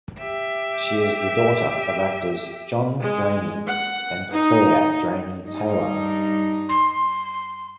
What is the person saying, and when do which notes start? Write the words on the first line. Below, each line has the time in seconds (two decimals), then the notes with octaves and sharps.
She is the daughter of actors John Drainie and Claire Drainie Taylor.
0.18 G4 E5
3.01 G#3
3.67 F#5
4.32 D#4
5.45 G2 G3 D#4
6.69 C6